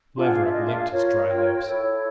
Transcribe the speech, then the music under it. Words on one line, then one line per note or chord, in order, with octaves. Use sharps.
Leverett licked his dry lips.
D4 F4 G#4 C6
F#5
F5
E5
D#5
E5
F5
F4 A#4 C#5
G5
E4 A4 C#5